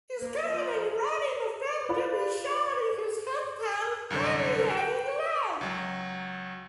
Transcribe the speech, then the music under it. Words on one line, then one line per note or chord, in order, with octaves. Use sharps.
He is currently writing a film to be shot in his hometown, Birmingham, England.
A#3
F3
F4 B4 D5
C2 F#2 D3
G5
C#2 F#3